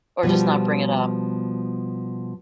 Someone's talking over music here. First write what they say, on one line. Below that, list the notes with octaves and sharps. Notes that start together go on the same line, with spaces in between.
Or, just not bring it up.
B2 F3 G3